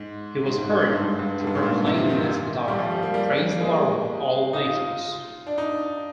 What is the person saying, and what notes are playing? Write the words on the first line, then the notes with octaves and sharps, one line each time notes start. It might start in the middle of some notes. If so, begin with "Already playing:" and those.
He was heard to proclaim as he died, Praise the Lord of all nations!
Already playing: G#2
G#2
G#2
G2
G#2
G#2
G2
G2
G#2
G2
G#2
A#2
C3
D#3
G3
F3
G3
A#3
G3
G3
G3
A#3
G#3
D#4
F4
D4
D#4